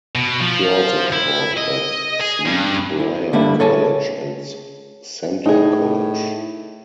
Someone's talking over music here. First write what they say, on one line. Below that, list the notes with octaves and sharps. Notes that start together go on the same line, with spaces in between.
She also taught at Sweet Briar College and Centre College.
B2
F3
E4
D#5
G#4
G2
E4
D3 G3 A3 A#3 E4
G#4 A4 C#5 G#5 A5
A2 D#4 G#4